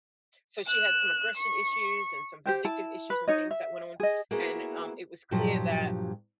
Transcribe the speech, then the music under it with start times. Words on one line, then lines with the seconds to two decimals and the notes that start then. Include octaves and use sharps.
So, she had some aggression issues and some vindictive issues and things that went on, and, um, it was clear that
0.68 F#6 E7
1.37 C#6
2.46 G4 C5 G5
2.65 E4 A5
3.10 B4
3.28 D#4 C#5 D#5
3.51 E5
4.00 G#4 D#5
4.31 A#3 B3 E4 F#4 G#4
5.31 G2 A#2 F3 F#3 G4 A#5